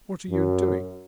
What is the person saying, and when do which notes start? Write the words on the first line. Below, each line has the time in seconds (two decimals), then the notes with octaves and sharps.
'What are you doing?
0.30 F#2